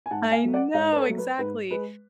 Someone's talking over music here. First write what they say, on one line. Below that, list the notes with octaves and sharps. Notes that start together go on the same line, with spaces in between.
I know, exactly.
G#5
G#2 F#5 A5
A5
F5 G#5
F#3 A3
D5 F#5
G#2 C#5 F5
B4
A4 C#5
F#3 A3
B4
G#2 B4
G#3 B4